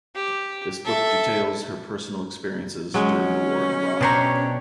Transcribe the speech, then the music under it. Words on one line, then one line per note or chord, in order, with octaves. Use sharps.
This book details her personal experiences during the war in Iraq.
G4
A4 E5
F#3 G#3 C#4
B2 D4 G4 C5 C#5 A#5